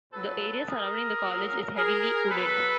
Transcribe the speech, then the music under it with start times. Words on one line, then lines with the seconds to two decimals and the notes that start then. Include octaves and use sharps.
The area surrounding the college is heavily wooded.
0.13 A#2 F#3 A4 B4
0.67 G#4 A#4
1.22 A#2 F#3
1.76 G#4 A#4
2.30 B2 F#3 A4 B4